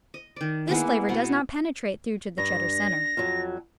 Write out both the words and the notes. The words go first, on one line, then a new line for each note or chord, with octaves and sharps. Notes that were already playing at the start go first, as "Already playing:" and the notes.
This flavor does not penetrate through to the Cheddar center.
D#5
D#3 D5
G#3 A#3 B3 E4
B2 B3
G2 A#6
F2 F#3